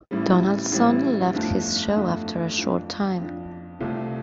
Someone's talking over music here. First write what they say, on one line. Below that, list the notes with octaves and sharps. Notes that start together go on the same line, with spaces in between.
Donaldson left his show after a short time.
A1 A2 G3 C4
A1 A2 G3 C4
G1 F2 D3 A3 F4
G1 F2 D3 A3 F4
F2 F3 D4
F2 F3 D4
C2 C3 A3 F4